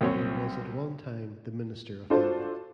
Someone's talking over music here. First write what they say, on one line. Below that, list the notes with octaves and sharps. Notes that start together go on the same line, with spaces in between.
He was at one time the Minister of Health.
C2 F#2 C4 C#5
D4 F4 F#4 A4 C5